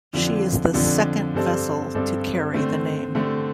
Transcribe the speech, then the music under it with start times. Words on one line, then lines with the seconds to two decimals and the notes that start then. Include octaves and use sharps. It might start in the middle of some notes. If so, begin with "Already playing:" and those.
She is the second vessel to carry the name.
0.13 F2 D3 F3 D4
0.73 F2 D3 F3 D4
1.34 G2 G3 C4 A4 D5
1.95 G2 G3 C4 A4 D5
2.54 D3 A3 C4
3.15 D3 A3 C4